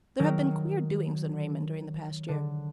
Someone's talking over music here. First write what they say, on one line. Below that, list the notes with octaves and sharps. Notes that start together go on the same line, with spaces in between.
There have been queer doings in Raymond during the past year.
D#3 F#3 A#4
D3